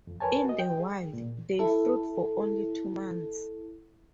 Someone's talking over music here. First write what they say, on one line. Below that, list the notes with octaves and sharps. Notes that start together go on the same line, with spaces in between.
In the wild, they fruit for only two months.
F2
A#4 B4 C#5 G#5 A5
F#4 D#5
G5
G#4
A#2
E4 A4